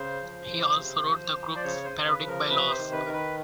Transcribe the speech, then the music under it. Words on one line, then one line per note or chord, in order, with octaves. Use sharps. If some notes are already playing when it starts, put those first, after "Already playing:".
He also wrote the group's parodic by-laws.
Already playing: C#3 C5
F3
C#3
C3
F3
F3
D5
C#3 C#5
C5
C#3
B4
F3
A#4
C3 B4
C5
D#3
B4
D#3 A#4
B4